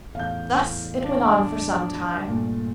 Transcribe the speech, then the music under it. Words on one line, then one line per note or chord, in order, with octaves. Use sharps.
Thus it went on for some time.
E2 A2 F5 G6
D4
G2 A#2 A3